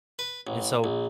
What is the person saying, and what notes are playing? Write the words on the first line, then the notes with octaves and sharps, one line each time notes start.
And so,
B4
A1
A#1